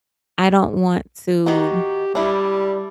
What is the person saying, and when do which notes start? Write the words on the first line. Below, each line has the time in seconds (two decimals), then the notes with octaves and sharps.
I don't want to
1.46 D#3 D#4 F#4 G4
2.15 G3 D4 E4